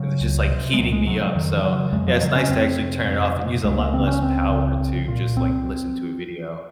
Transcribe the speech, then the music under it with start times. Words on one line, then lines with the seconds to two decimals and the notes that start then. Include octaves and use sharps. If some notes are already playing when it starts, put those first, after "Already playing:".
And it was just, like, heating me up. So, yeah, it's nice to actually turn it off, and use a lot less power to just, like, listen to a video.
Already playing: C#3 F#3
0.21 C#2
0.50 C3
0.74 G#3
0.78 C#2 F#3
0.92 G#3
1.06 C3 F#3
1.21 F#3
1.35 F2 D#3
1.57 F3
1.64 C#3 F#3
1.93 F2 G#3
2.08 F3
2.21 C#3 F#3
2.36 C#4
2.49 F2 C4
2.79 C3
3.07 F2
3.36 C3
3.64 C#2 G#3
3.79 A#3
3.93 C#3 C4
4.07 C#4
4.22 C#2 C4
4.50 C#3
4.79 C2
5.08 A#2
5.36 C2 C4